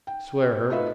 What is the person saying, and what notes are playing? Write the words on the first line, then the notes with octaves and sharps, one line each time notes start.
"Swear her."
G5
A3 D#4 F4 F#4 B4 E5